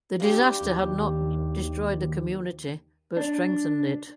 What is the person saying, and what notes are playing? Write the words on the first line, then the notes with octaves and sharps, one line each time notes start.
The disaster had not destroyed the community but strengthened it.
G2 G4
D#2
D4